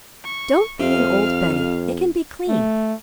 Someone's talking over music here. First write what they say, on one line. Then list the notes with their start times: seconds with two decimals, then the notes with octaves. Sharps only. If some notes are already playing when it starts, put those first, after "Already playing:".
'Don't be an old Betty; it can be cleaned.
0.25 C#6
0.80 F2 C3 F5 F6
2.49 A3